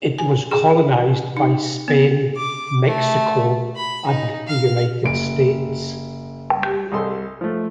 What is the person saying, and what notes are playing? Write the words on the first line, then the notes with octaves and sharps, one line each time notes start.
It was colonized by Spain, Mexico and the United States.
G#5
G#4
D#4
B3
D6
A3
B5
D#4
F5
F#1 D7
C2 G#4 A4 D#5 C6
F3 A3